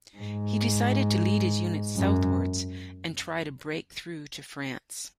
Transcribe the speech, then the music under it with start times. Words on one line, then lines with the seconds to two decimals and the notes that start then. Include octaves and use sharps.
He decided to lead his unit southwards and try to break through to France.
0.17 G#2
1.96 F#2